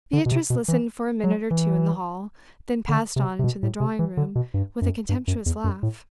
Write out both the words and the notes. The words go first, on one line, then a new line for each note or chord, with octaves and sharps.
Beatrice listened for a minute or two in the hall, then passed on into the drawing-room with a contemptuous laugh.
D3
B2
C3
B2
E3
F#3
E3
D3
C3
C3
B2
A2
C3
E3
D3
B2
G2
F#2
G2
F#2
E2
F#2
A2